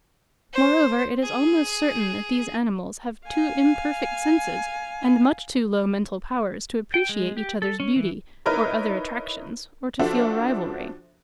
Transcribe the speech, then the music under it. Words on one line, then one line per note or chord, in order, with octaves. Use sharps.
Moreover it is almost certain that these animals have too imperfect senses and much too low mental powers to appreciate each other's beauty or other attractions, or to feel rivalry.
C5
G#4
F5 G#5
G5
G#3
G4
A4
C#4
E3
D#4 E4 A#4 B4 C#5
F3 D4 F#4 A4 C5 E5